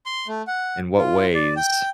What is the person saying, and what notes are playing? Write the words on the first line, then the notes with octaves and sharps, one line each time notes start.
In what ways?
C6
A3
F#5
F4
D5
G5